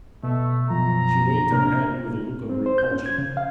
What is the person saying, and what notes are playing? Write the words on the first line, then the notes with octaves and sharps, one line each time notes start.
She waved her hand with a look of repulsion.
B2 A3
F#2 B2 F3 A#5
C3 A#3 D4 A#4
C4
C5
G6
C#4
G#6
C#3
F5